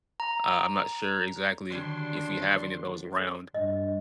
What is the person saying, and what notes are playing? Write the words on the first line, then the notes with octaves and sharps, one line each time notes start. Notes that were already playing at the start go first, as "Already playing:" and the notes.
uh, I'm not sure exactly if we have any of those around,
A#5
D3 D#3 F#3 G3 C#4 D4 C6
G2 D#5